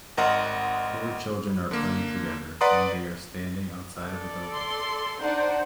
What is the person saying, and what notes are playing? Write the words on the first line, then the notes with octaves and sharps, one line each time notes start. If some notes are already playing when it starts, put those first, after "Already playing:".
Four children are playing together, and they are standing outside of a building.
G#1 A#4 D#5 F#5 C6
D3 A#3
B4 D5 F#5 A#5 C6 D#6
A4 D5
C6
D4 D#4 C5 F#5